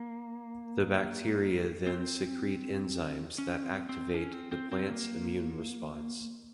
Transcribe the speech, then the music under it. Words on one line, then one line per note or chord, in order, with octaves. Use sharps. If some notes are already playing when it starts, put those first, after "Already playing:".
The bacteria then secrete enzymes that activate the plant’s immune response.
Already playing: A#3
C4
C#4
C4
C4
C#4
C4
C4
C4
A#3